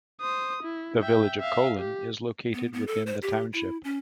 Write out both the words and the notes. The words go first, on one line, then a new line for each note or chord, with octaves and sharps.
The village of Colon is located within the township.
C5 D#6
E4
E5 G5
E5 F5
G4
B3
B3
A4
C5
G4
E4
C#4